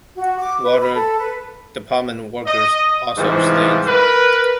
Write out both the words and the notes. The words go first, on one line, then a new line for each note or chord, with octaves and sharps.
Water department workers also stayed.
F#4
D6
B4
B5
A4
B4
D#5
G#2 C3 E3 F3 G3
A#4 B4